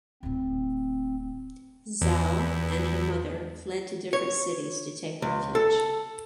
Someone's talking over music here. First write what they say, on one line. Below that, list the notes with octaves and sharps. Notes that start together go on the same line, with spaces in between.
Zhao and her mother fled to different cities to take refuge.
D1 A2 C4
E2
C#5
C#2
A4